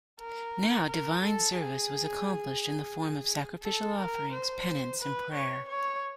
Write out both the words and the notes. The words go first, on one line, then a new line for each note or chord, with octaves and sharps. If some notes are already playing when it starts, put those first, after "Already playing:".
Now divine service was accomplished in the form of sacrificial offerings, penance and prayer.
A#4
A#4
A4
G#4
A4
A#4
C5
B4
C#5
C#5